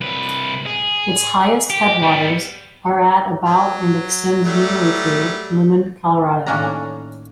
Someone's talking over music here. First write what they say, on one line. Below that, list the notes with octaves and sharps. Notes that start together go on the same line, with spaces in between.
Its highest headwaters are at about and extend nearly to Limon, Colorado.
C2 B4
G#4
G4
G3 B3
F#3
F#3 G3 A3
A2 D#3 A#3 C#4 D4 A#5